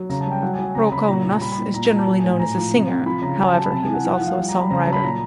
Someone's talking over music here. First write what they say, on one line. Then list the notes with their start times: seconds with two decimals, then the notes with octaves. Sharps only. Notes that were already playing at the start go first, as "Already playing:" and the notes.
Roukounas is generally known as a singer, however he was also a songwriter.
Already playing: F#3
0.10 C#3 A#5
0.20 A5
0.27 G3 G5
0.42 F#3 F#5
0.54 G#5
0.59 F#3
0.65 G#5
0.75 C#3 A#5
0.92 C#3 B5
1.08 A#2 A#5
1.20 A#5
1.25 A#2
1.31 A#5
1.41 G3 B5
1.52 B5
1.58 A#2
1.74 A#2 A#5
1.85 A#5
1.91 A#2
1.96 A5
2.07 F#3
2.19 G#5
2.24 A2
2.29 G#5
2.39 A2 A#5
2.57 F3
2.73 C3
2.89 C3
3.06 F3 B5
3.22 C#3 A#5
3.39 F#3 G#5
3.47 A5
3.55 F#3
3.63 B5
3.71 C3 A5
3.83 G#5
3.88 E3
3.94 F#5
4.04 F3 F#5
4.16 F#5
4.21 F3
4.27 F5
4.38 G3
4.49 A#5
4.54 G3
4.60 B5
4.71 C#3 A#5
4.82 A5
4.87 F#3
4.93 B5
5.03 A#2 A#5